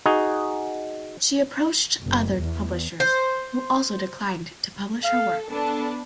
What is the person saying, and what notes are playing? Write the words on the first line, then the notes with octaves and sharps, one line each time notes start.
She approached other publishers, who also declined to publish her work.
D#4 F#4 G#4
F#1
E2
C5
A4 F5
B3 D4 A4 A5